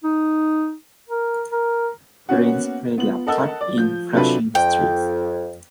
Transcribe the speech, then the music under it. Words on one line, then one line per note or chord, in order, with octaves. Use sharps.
Rains play their part in flushing streets.
D#4
A#4
A#4
A#3 B3 C#4 F#4 F#5
B3 F4 F#7
A4 A#4 D#5 F#5 A5 E6
D5
F3 G6
C3 F#3 D4 F4 A4 B4
F2 G5